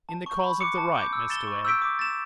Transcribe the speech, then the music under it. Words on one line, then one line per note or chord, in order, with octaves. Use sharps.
'In the cause of the right, Mr Wegg?'
A5
C#6 G6
B5
D6 F#6 C#7
A5
D6 G6 D7
E6
A6 E7 G7
C#6
E6 G6 B6 D7
D6
A6 E7